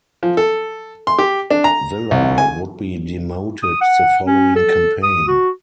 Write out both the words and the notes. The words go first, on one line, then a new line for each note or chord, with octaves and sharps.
Villa would be demoted the following campaign.
F3
A4
C6
G4
D4
A#5
C2
G#5
D#6
F#5
C#4
A4
D#6
F#4